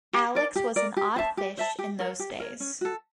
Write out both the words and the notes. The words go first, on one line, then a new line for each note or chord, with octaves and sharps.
Alex was an odd fish in those days.
G4
A#4 D5
G4
A#4 D5
G4
C5 E5 A5
G4
C5 E5 A5
G4
A#4 C#5
G4
A#4 C#5
C#4
F#4 A4